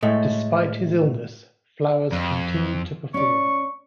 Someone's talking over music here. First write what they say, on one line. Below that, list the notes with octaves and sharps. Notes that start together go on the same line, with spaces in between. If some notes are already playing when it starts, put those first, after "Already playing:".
Despite his illness, Flowers continued to perform.
A2 G#3 A3
F2
C#4 D5 C#6